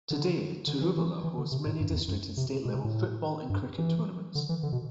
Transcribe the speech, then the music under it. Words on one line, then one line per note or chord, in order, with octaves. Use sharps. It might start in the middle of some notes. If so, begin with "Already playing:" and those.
Today, Tiruvalla hosts many district and state level football and cricket tournaments.
D3
D3
E3
E3
E3
D3
C3
A2
G2
F#2
E2
F#2
C3
B2
C3
A2
G2
E3
D3
E3
D3
B2